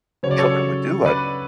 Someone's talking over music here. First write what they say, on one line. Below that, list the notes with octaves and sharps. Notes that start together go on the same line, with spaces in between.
children would do, I'd
C#3 F#3 C#4 C#5
D5
A4 C#5
B4 D5